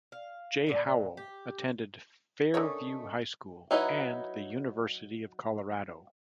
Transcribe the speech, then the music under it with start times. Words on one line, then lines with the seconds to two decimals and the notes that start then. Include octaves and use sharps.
Jay Howell attended Fairview High School and the University of Colorado.
0.12 F5
0.67 A#2 D3
1.17 G4
2.54 D3 A3 C#4 D#4 A#4 C#5
3.71 F#3 D#4 E4 B4 D#5